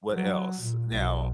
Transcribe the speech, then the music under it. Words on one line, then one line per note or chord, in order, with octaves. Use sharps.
what else? Now,
F#3
A#2
B1